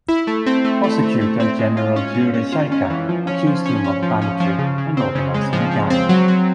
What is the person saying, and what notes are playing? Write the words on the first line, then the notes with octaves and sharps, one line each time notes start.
Prosecutor General Yury Chaika accused him of banditry and organizing a gang.
E4
A3
C4
A3
A3
A3
A3
C4
G#3
F4
C#4
C#4
C#4
F4
C#4
E3
F3
C#4
F3
C#4
C#4
F3
C#4
F3
C#3
C#3
C4
C#3
G#3
F3
F3
C4
F#3
F#3